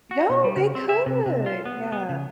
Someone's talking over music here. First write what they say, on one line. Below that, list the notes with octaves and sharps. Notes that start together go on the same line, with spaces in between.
Yo, they could. Yeah.
F#4
B2
G3
C#3
C4
E5
C3
C3
F4
B3
B3
C#3